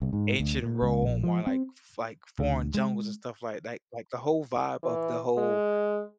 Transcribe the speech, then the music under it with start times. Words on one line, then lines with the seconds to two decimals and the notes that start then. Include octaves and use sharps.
ancient Rome or, like, f like, foreign jungles and stuff like that, like the whole vibe of the whole
0.02 C2
0.13 G#2
0.40 D2
0.63 A#2
0.82 C#2
1.02 A#1
1.23 F3
1.47 C4
2.39 D2
2.74 G#3
4.83 E3
5.37 G#3